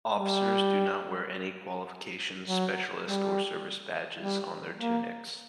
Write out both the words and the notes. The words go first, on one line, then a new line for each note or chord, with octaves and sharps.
Officers do not wear any qualification, specialist, or service badges on their tunics.
G3
F#3
G3
G3
A#3